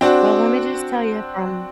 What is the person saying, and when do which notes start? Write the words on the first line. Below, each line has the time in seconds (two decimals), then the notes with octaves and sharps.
Well, let me just tell you from
0.01 C4 D4 F#4